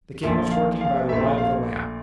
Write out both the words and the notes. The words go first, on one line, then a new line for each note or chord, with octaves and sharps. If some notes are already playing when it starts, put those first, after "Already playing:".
The king was working by the light of a lamp.
A#1 A#2 F3 A3 E5
F5
F5
A#1 A#2 A3 E5
F5